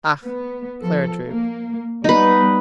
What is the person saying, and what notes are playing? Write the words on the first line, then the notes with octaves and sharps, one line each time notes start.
"Ah!" Clara drooped.
B3
F3 A4
A#3
G3 B3 D#4 B4